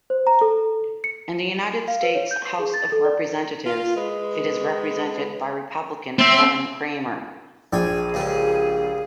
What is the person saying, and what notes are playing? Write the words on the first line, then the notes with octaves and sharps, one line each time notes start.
In the United States House of Representatives it is represented by Republican Kevin Cramer.
C5
A#5
A4
C#7
F5
B4
C#5
G6
C7
G#4
A6
A4
D5
F4
G#3 B4
C4 E5
A#1 G#4 D5 G5 G#5
C#2 A#2 G4